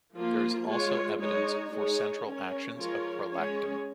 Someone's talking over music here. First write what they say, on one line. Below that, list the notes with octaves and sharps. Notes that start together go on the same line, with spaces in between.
There is also evidence for central actions of prolactin.
F3 A#3 F4
G#3 F4 C#5
G#3 D#4 C#5
G#3 D#4 G#4 C#5
C#4 A#4 C#5
F3 G#3 F4 A#4 C#5
G#3 C#4 G#4 C#5